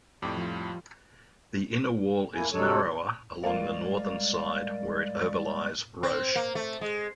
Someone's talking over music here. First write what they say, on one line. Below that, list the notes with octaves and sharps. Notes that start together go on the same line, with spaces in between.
The inner wall is narrower along the northern side where it overlies Roche.
F2 A2 G4 D5
F3 G3 F4
A#3 E4 G#5
C3 F#3 G#3 D4 A4 C#5
G3 G#3 A#3 F4 D5
C4
A#3
A3
G#3